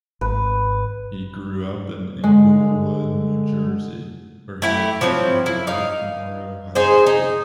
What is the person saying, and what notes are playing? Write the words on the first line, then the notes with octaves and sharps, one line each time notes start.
He grew up in Englewood, New Jersey, where he attended Dwight Morrow High School.
G#1 B4
D3 G#3
A3 E4 G4
F3 F#3 C4 E4
E4
D#4 F5
D#4 G#4 C5
D#4